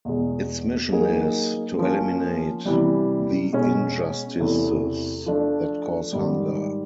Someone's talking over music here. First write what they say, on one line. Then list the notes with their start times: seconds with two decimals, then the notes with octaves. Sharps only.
Its mission is "to eliminate the injustices that cause hunger".
0.05 E2 B2 G#3
0.92 F#3 A#3 D#4 G#4
1.79 F3 A#3 C#4
2.65 C3 E3 G3
3.53 B2 G#3 C#4
4.40 E2 C3 E3 A3
5.26 F3 A3 D4
6.13 G#2 D#3 G3